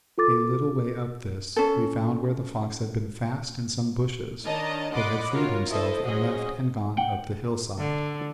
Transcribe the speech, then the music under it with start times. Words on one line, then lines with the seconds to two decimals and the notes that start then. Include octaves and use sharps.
A little way up this we found where the fox had been fast in some bushes but had freed himself and left and gone up the hillside.
0.18 F4 A4 D6 A6
1.56 C#4 A4
4.45 D#3 D4 C#5 D#5 A5 A#5
4.93 D5 D#5 F#5 B5 C6 D6
5.31 F4 F#4 A#4 C#5
5.69 E4 A4 C5 D#5
6.04 F#3 C#4 F#4 G#4 C5 D#5
6.97 F#5 G5
7.78 D3